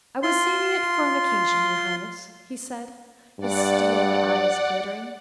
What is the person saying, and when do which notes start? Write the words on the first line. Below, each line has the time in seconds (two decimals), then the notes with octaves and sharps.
"I was saving it for an occasion, your highness," he said, his steely eyes glittering.
0.23 F4 C6
3.39 G2 D5 F#5